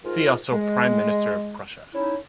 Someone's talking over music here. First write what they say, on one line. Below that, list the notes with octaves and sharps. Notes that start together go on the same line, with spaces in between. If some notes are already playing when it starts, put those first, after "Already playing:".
See also Prime Minister of Prussia.
G#2 F4 A#4
G#3
C#4 D#4 E4